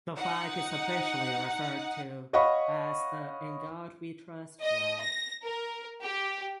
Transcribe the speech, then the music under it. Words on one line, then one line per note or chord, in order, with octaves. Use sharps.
The flag is officially referred to as the "In God We Trust Flag".
D#4 F#5
C#5 D#5 F5 F#5 B5 C#6
D#5
A#6
A#4
G4